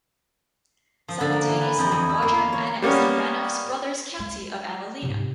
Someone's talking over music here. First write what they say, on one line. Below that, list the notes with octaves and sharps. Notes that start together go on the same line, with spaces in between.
Simultaneously, Roger annexed Ranulf's brother's County of Avellino.
F3
D3
A#3
E3
B4
F2
E2
E4
A#3
F5
C#5
G3 A#3 B3 C#4
G#3
G#2 C3